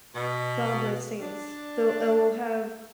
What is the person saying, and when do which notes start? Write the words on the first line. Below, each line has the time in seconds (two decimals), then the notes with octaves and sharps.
job listings so it will have
0.15 B2
1.22 D4